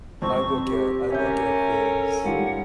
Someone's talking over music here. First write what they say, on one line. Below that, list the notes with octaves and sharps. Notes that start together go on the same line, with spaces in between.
I look at I look at things
F2 C4 C#6
G4
C#4 A#4 C#5 E5 G6
A4
D#3 G3 F4 F#5